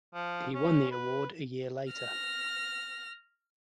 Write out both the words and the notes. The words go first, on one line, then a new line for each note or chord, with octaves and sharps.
He won the award a year later.
F3
C#4
B4
F6 A#6